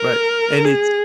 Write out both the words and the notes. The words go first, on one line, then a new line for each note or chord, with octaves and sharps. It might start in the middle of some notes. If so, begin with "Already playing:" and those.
Right. And it's
Already playing: A#4
G#4